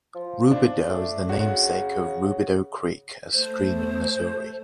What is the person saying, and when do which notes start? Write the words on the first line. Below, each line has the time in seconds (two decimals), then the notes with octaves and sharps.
Roubidoux is the namesake of Roubidoux Creek, a stream in Missouri.
0.15 F3
0.51 D4
0.89 A3
1.29 C#3 F#4
3.33 A3 C5